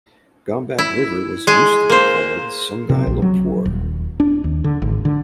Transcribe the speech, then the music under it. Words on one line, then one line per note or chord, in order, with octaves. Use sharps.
Gombak River was used to be called Sungai Lumpur.
E4
G#3 G#4
A#3 C5
C3
A#1
F#3
D#1
D4
D#2
D3
G#1
D3